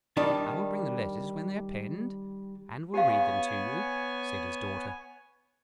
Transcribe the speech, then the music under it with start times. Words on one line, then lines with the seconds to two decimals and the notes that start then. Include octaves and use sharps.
"I will bring the letters when they are penned, and will read them to you," said his daughter.
0.17 D#3 G3 D4 A5
2.94 B3 G4 C#5 F5 G#5